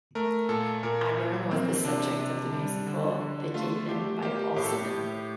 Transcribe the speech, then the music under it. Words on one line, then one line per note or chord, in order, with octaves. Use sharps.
Agron was the subject of the musical "The Capeman" by Paul Simon.
A3 A#4
A#2 A4
A#2 A#4
F3
A#3 C4
C3 D4
C3
G3
D3
D3
A3 F4
A3 G4
A#3 G4
A2 G4
A4
G4
A2